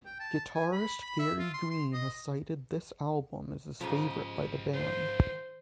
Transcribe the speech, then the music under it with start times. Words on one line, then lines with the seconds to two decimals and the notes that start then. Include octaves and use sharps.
Guitarist Gary Green has cited this album as his favourite by the band.
0.05 G5
0.19 A5
0.54 G#5
0.72 B5
1.02 B5
1.19 E5
1.39 F4
1.54 C6
1.70 C6
1.93 D#5
3.81 G#2 C#3 F3 G4 D#5
4.74 D#3 F4 C5